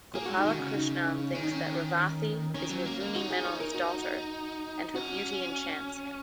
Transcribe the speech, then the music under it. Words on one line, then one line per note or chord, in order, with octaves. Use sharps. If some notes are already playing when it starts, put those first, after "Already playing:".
Gopalakrishnan thinks that Revathi is Ravunni Menon's daughter and her beauty enchants him.
A#3 G#4
G#3 F#4
D#4
D#3
F#4
C#3
D#4
D#3 C#4
D#4
C#4
D#3 C#4
F#3
A#3
A#3
D#4 F#4
G#4
C#5
A#4
F#4
C#4 F#4